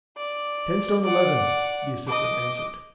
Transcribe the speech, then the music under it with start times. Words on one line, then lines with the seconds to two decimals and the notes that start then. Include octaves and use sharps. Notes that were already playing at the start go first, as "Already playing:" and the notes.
"Ten stone eleven," the assistant answered.
0.16 D5
1.03 D5 F#5
2.07 D#5 D6